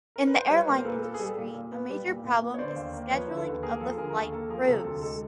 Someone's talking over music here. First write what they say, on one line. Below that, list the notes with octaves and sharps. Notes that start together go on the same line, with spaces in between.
In the airline industry a major problem is the scheduling of the flight crews.
A#4
B4
C5
G3 B4 C#5
A#2 A#4 C5
A#2 A4 B4
B3 A4
G#4
G3 A4
A#2
A#2
B3
G3
A#2
A#2
B3
C#5
D3 C5 D5
D#2
A#3
F3 B4 C#5
D3
A4 B4
D#2
A#3 G#4 A#4
F3 A4
D3 G#4 A#4
A#4
D#2 A4
A#3 A4
F3 G#4 A#4
C3 A4
D2 A4
G#3 A4